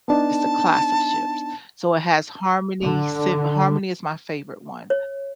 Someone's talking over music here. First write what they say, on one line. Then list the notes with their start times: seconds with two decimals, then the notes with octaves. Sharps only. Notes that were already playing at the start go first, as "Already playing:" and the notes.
It's the class of ships, so, it has Harmony, Sym Harmony is my favorite one.
0.08 B3 D4 D#4 A5
2.80 D3
4.90 C#5